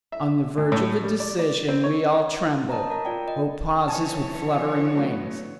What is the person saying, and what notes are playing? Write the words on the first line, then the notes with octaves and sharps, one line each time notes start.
On the verge of a decision we all tremble: hope pauses with fluttering wings.
E5
D2
A2
G3
D5
D5
C4
C#5
C#5 D#5 A5 A#5
A#4 A#5
F4 D5 G5
D#5
E3 F3 C#5 G#5 A5
F#3 A3 B3